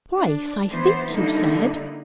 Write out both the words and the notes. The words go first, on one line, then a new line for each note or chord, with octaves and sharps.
"Twice, I think you said?"
D4
E3 B3 C5
D3 G3 A#3 D#4 E4